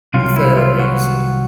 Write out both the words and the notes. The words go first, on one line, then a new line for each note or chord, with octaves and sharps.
her therapies,
C2 C3 D#3 F#3 F4
E4
F4
F#4